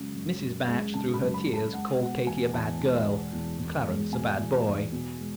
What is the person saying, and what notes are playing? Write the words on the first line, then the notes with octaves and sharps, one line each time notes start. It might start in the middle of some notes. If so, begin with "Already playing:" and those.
Mrs. Batch through her tears called Katie a bad girl, and Clarence a bad boy.
Already playing: F#2 C#3 G#3
F#2
F#2
G#3
C#3 A5
B5
F#2
B5
F#2
A5
G#3 F#5
B2 F#5
E2 G#5
E2 A5
G#3
B2
E2
E2
G#3
B2 G#5
E2
E2
B2
G#3